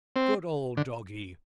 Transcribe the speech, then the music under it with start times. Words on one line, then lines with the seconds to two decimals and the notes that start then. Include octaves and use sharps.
Good old doggy!
0.16 C4
0.77 D3